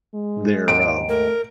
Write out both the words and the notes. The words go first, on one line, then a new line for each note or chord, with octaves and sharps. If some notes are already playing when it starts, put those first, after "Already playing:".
they're um
G#3
D#2 G#2 D7
A3 A#4